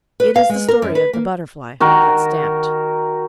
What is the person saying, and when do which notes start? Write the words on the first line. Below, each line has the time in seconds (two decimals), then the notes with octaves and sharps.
It is the story of the Butterfly that Stamped.
0.20 B4
0.36 F5
0.49 G#3
0.68 A#4
0.82 F#2
0.95 B4
1.13 A#3
1.80 D#3 F#4 A#4